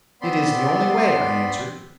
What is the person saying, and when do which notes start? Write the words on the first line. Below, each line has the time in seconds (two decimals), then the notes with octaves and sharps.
"It is the only way," I answered.
0.22 B3 C4 D5 B5 C6